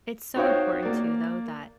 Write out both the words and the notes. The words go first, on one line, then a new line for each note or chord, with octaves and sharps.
it's so important too, though, that
D#4 F#4 C5 C#5 F5 G5
A#3 D5